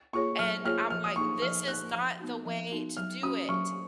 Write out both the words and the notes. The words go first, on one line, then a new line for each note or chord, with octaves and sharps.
and I'm like, 'This is not the way to do it.'"
A#3 F4 G#4 C#5 C#6
F#3 F6
A#3 F4 G#4 C#5 F6
F3 F6
D#6
A#3 D#4 G#4 C#6
F3 F6
A#3 D#4 G#4 F#6
F3
B3 D#4 F#4
F3
B3 D#4 F#4
F#3 F6
C#4 F#4 D#6
F#3 C#6